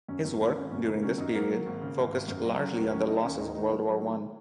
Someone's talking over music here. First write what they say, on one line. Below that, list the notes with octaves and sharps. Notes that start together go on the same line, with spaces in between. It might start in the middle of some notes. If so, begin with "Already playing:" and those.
His work during this period focused largely on the losses of World War One.
F#2 C#4
F#2 C#4
G#1 A#3
G#1 C#4
F#2 C#4
C#3 A#3
F#3 C#4
F#2 D#4
F#3 A#3
F#3
G#1
C#3
G#1
G#1
F#2
F#3
F#3 C#4
D#2 A#3
F#3 C#4
D#3 D#4
D#2 C#4
D#2 D#4
D#3 D#4
F#3 A#3
F#3
D#3